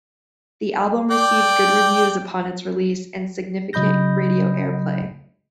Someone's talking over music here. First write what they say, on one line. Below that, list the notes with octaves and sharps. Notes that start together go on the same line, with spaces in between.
The album received good reviews upon its release and significant radio airplay.
D5 G5
C#3 F#3 D#5 B5 G6 A#6